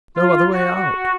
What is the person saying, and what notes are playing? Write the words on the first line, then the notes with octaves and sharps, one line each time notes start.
No other way out.
F4
F#4